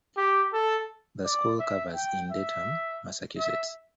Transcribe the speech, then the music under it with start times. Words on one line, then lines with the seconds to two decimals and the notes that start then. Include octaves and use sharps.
The school covers in Dedham, Massachusetts.
0.17 G4
0.53 A4
1.24 D5
1.59 E5
1.95 G5
2.31 E5
3.38 E5